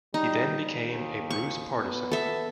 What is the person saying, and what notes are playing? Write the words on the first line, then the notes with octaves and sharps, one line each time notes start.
He then became a Bruce partisan.
G3 D#4
D#2
C#6
B3
A4 E5